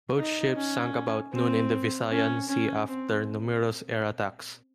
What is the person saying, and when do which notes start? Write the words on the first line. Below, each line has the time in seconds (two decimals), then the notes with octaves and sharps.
Both ships sank about noon in the Visayan Sea after numerous air attacks.
0.17 D#4
0.55 C#4
1.32 C4
2.10 C#4
2.48 C#4
2.87 C4